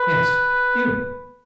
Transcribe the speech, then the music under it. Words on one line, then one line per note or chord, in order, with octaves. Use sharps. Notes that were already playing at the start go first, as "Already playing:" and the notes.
"Yes, you."
Already playing: B4